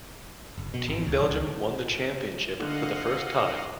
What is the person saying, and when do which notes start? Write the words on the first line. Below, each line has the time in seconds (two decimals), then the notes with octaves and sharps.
Team Belgium won the championship for the first time.
0.58 F#1
0.74 B2
0.88 G#1
1.06 C#2
1.20 A#1
1.31 C#2
2.60 D3 D#5 F5 F#5 F#6